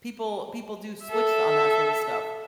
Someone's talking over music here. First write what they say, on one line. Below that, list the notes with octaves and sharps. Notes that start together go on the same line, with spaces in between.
people people do switch on that sorta stuff.
A4 E5